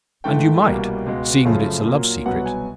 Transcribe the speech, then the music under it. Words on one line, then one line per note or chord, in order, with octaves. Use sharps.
And you might--seeing that it's a love secret!
G#2 E3 A3 G5
C2 B2 G3 A#3
C#2 B2 G#3
F#2 C#3 F3 A3 F5
A#2 F#3 A#3
C2 B2 F#3 B3 F#5
G#5